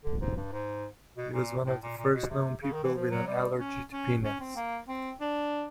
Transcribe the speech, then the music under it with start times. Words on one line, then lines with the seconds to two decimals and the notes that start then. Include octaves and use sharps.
He was one of the first known people with an allergy to peanuts.
0.04 D3
0.20 G#2
0.37 G2
0.53 G#2
1.17 B2
1.34 A#2
1.66 A2
1.82 A#2
1.98 A#2
2.14 B2
2.30 C3
2.63 C#3
2.73 D#3
2.84 E3
2.95 F3
3.11 F#3
3.27 G3
3.59 C#4
3.92 C#4
4.24 C#4
4.40 C4
4.56 A#3
4.88 C4
5.20 D4